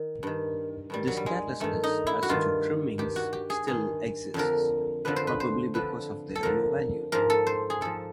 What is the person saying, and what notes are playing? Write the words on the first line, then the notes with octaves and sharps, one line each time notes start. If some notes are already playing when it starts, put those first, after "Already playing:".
This carelessness as to trimmings still exists, probably because of their low value.
Already playing: D#3
G2 D#3
G2 D#3 G3
F#3
G3
G#3
G2 D#3 A3
D#4
E4
F#4
G2 D#3 F4
G2 D#3 G4
F#4
G4
G#4
G2 D#3 G#4
F2 D3 F3 A#4
F2 D3 F3 B4
C5
B4
C5
F2 D3 F3 B4
A4
F2 D3 F3 A#4
G#2 F3 A#4
A4
C5
G#4
G#2 F3 A4